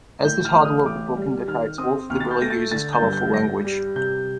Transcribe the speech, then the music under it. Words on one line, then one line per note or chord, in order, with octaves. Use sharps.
As the title of the book indicates, Wolfe liberally uses colorful language.
A2 G6
F6
A1 F6
D#6
A1 D6
G3
D#3 F6
C4 D#6
D#2 F6
A6
G6
A3 A#6
A6
D3 A6
G6
G2
G6
G2 A#6
G3
C3 G6